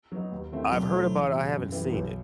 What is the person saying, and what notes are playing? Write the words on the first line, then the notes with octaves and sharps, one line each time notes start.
I've heard about I haven't seen it.
F#3 B3 D#4
D#2
D#3 A3 C4 E4
B2 F#3
A3 E4 A4 C5
E2
B2 G3
F#2
E3 G3 B3
B1